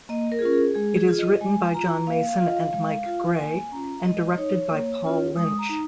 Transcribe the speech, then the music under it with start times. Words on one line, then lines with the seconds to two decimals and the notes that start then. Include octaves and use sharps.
It is written by John Mason and Mike Gray, and directed by Paul Lynch.
0.09 A#3 D#5
0.32 A#4
0.39 G#4
0.42 C#4 F4 A#4
0.53 G#4
0.75 G#3 G#4
0.97 G#4
1.08 F4
1.19 D#5
1.41 G#3 G#5
1.74 F4 A#5
2.07 A#3 F5
2.29 F5
2.40 F4
2.45 D#5
2.51 F5
2.73 G#3
3.06 F4
3.39 A#3 G#5
3.72 C#4 F4 A#5
4.05 G#3 D#5
4.38 D#4 C#5
4.71 A#3
5.03 C#4 F4
5.36 G#3 D#6
5.59 A#5
5.69 D#4